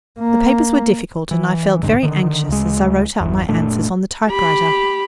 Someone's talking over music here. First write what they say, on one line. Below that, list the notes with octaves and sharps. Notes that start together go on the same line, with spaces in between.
The papers were difficult, and I felt very anxious as I wrote out my answers on the typewriter.
A#3
E3
G1 C2 G#2 D3
D3 D#3
D2 C#3 G#3
G1 E2
F#1 A#2 A3 D4
G4 B5